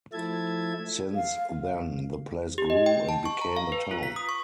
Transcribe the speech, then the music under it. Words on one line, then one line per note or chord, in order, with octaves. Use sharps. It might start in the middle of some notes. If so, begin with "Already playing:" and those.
Since then the place grew and became a town.
F3 A3 E4 E5 A5 G#6
F5
G4
D#5
G5
A5
C#6
A#5
F5
B4
F4
B6
D#6
C#6